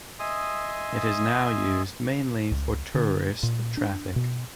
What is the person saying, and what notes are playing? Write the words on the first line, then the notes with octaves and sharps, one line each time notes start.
It is now used mainly for tourist traffic.
D#5 E5 G#5 C6 D#6
C#2
D3
A#2
D4
B2